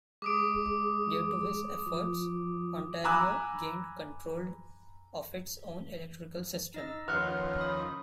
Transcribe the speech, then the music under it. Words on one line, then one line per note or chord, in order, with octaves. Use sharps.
Due to his efforts, Ontario gained controlled of its own electrical system.
G#3 D6 D#6 D7
F3
G#5 A#5 B5 D6 E6 F#6
D#4 D#5 E6
D#2 F3 C#4 B4 F#5 C6 F6 F#6
B5 D#6